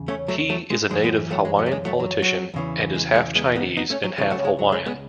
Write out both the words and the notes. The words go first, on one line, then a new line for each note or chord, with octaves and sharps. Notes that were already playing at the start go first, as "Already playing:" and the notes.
Hee is a Native Hawaiian politician, and is half Chinese and half Hawaiian.
Already playing: E2 C#3
A3 C#4
F#3 A3
F#3 A3
G#3
F#2 E3 G#3
G#3 B3
F#3 A3
G#3
F#3
A3
G#3
F#3 A3
F#3
F#3
E2 C#3 E3
G#3
G#3
G#3 B3
B3 D#4
B3 D#4
A3 C#4
F#3
C#2 C#3 E3 G#3
F#3 A3
G#3
F#3
G#3
G#3 B3